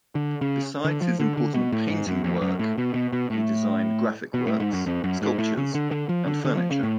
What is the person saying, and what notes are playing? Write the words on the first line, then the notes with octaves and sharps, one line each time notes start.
Beside his important painting work, he designed graphic works, sculptures and furniture.
D3
C#3
D3
F3
D3
D3
B2
A2
G#2
F#2
F2
F#2
A2
B2
B2
B2
A2
B2
A2
G#2
F#2
F2
F#2
G#2
A2
C#3
D3
D3
F3
D3
D3
F3
C#3
A2